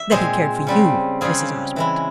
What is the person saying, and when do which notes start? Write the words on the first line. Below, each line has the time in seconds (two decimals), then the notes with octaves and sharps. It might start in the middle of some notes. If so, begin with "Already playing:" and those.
"That he cared for you, Mrs. Osmond."
Already playing: E5
0.11 A#2 G#3 C4 G#4 C5
0.67 C#3 G3 C4
1.21 C#3 G3 C4 F4 G#4
1.76 E3 G#3 E4